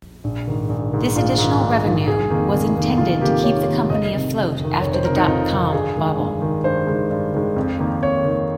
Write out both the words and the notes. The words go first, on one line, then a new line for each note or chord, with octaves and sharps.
This additional revenue was intended to keep the company afloat after the dot-com bubble.
A#1
G#2 D#3
A#1
G#2 D#3
A#1 F4
G#2 D#3
A#1
G#2 D#3
F1 G#4
F2 D#3 A#3
F1
F2 D#3 A#3
F1 F4
F2 D#3 A#3 G4
F1 C#5
F2 D#3 A#3
F1 D#5
F2 C3 D#3
F1
F2 C3 D#3
F1 C#5
C5
F2 C3 D#3 A#4
D#4
F1 F4
F2 C3 D#3
G2 G#4
D#3 G#3
G2
D#3 G#3
G2 C5
D#3 G#3
G2
D#3 G#3
F2
D#3 A#3
F2 C#5
D#3 A#3